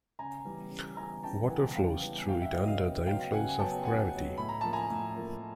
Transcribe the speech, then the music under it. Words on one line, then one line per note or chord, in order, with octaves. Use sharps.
Water flows through it under the influence of gravity.
C#3 G#5 A#5
E3 G3 B3
C#3
E3 G3 B3 G#5 A#5
C#3 G5 A5
E3 G3 B3 F#5 G#5
C#3 F5 G5
E3 G3 B3
G#5
C#3 F5 G5
E5 F#5
F#3 B3 D#5 F5
D#5 F5
C#3 F5 G5
F#3 B3 F5 G5
C#3 F#5 G#5
G#5
F#3 B3 G5 A5
C#3 F#5 G#5
F#3 B3
A2 B5
A#5
F3 A#3 A5
G#5 A#5
A2
F3 A#3